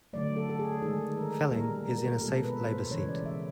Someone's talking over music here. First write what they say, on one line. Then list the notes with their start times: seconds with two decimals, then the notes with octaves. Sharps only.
Felling is in a safe Labour seat.
0.13 D3 F#3 A3 D5
0.37 A4
0.50 A4
0.59 G#4
0.82 D#3 G#3 A4
1.18 A#4
1.52 A#2 G3 A#3 A#4
1.75 A#4
1.98 A#4
2.21 B2 G#3 A4
2.40 A#4
2.45 B4
2.68 C5
2.91 C#3 E3 G#3 C#5
3.08 D5
3.26 E5